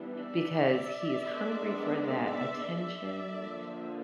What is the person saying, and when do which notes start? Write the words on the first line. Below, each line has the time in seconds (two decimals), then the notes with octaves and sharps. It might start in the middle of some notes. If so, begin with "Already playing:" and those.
because he is hungry for that attention
Already playing: E3 G3 B3 D4
0.16 D5 E5
1.21 D#3 G#3 B3 D4
2.24 D5 E5
2.76 D5 E5
3.28 D3 F3 A#3